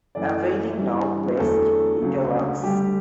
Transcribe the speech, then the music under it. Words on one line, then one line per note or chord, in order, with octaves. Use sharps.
Aveling now plays in Littl'ans.
F#2 E3 A3 D5
G2 E3 G3
E2 D3 F#3 A3 A4
D2 C#3 F#3
D2 D3 G3 G4